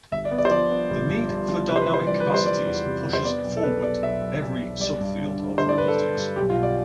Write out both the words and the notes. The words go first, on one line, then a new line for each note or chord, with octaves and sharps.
The need for dynamic capacities pushes forward every sub-field of robotics.
G1 E5
D5
B3
D5
C5
F3 D5
B3
G1
G2
G2
F3
C3 B4
C5
B4
E3
C5
G3 D5
B4
G3
C5
G3 D5
E2
C3
E2
C5
B3 D5
B1
A4
B3 B4
B1 D5
B1 E5
B1
B1
B1
G3 D5
G2
D3
D3
D3 C5
D5
G2 B4
A4
D3
G2
B1 G4
F4
B2
D5